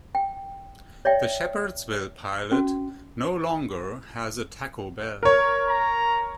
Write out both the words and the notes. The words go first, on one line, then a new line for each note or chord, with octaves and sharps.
The Shepherdsville Pilot no longer has a Taco Bell.
G5
C#5 D5 E5 G5
C#4 F#4
A#4 C#5
A#5